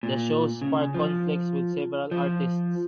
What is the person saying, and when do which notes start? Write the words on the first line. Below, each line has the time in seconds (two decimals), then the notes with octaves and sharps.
The show sparked conflicts with several artists.
0.03 A#2
0.62 C#3
0.94 F3
2.11 F3